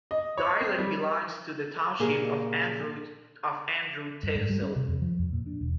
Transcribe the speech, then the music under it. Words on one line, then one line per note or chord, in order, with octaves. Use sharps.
The island belongs to the township of Andrott of Andrott Tehsil.
D#5
C#5
C4
G3
A#2 C#3 A#3 G4 G#4
G2
G#2
G3
C#4
C3
F2
F3
F2
A#2
D4
E1